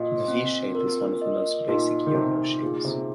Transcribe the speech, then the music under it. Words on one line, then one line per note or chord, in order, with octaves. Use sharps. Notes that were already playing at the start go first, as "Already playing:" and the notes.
The V shape is one of the most basic yo-yo shapes.
Already playing: A#2 D#5
C4
A#4
D#5
A#2 D#4
D#3
C3 D#4
A#2 G#4
C3